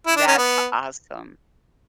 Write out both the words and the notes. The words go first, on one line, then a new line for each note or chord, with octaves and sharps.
That's awesome.
E4
D4
C#4
B3